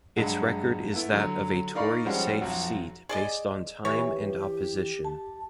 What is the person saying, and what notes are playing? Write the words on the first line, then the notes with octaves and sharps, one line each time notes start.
Its record is that of a Tory safe seat based on time and opposition.
G2 F#3 G#3 F#4
A3 B3 E4
D3 F#3
D#4 A#4 D5 F5 B5 C#6
F3 G3 G#3 C4 C#4 F#4
B1 F2 F#4
G#4 D5 D#5
E3 G4 C#5
A5